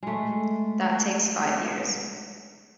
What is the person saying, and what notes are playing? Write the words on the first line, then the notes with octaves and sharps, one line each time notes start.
That takes five years.
G#3 A3